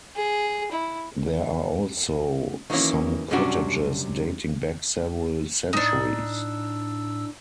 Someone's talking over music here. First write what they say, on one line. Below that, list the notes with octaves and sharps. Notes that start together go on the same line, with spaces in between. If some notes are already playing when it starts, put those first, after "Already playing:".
There are also some cottages dating back several centuries.
G#4
E4
D#3 E3 F#3 A#3 C#4
F#2 C3 G3 C#4 D4 F#4
A2 D4 D#4 E6